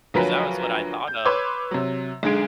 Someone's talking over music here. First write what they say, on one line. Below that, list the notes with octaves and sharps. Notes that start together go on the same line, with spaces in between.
'Cause that was what I thought of
D2 F3 F#3 A#4 B4 B6
G6
B4 C#5 C6 D6 E6 G#6
C3 F#3
B1 D3 G#3 G#4 D7